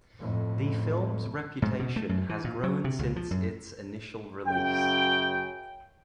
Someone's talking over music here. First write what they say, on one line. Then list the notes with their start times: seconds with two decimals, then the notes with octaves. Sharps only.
The film's reputation has grown since its initial release.
0.20 F2 A2
1.62 G#2
1.79 B2
1.96 A3
2.09 F#2
2.29 E3
2.44 A#2
2.64 F#3
2.84 C3
2.99 C#2
3.16 F3
3.31 F#2
4.47 F#2 C#3 G5